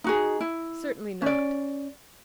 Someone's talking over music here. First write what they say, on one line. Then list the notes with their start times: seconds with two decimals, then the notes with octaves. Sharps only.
Certainly not.
0.04 D#4 F#4 G#4
0.41 E4
1.22 C#4 D5